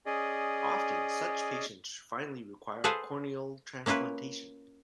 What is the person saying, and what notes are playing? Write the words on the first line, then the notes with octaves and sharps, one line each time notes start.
Often, such patients finally require corneal transplantation.
C#4 G#4 D5 D#5
G#4 A4 B4 C5 F5 G#5
A#3 C#4 E4 F4 B4